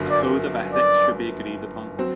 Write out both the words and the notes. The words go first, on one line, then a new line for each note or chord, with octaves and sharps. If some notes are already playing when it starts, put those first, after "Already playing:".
A code of ethics should be agreed upon.
Already playing: G1 F#2 F#3 A#3
D5
D5
F#3 C4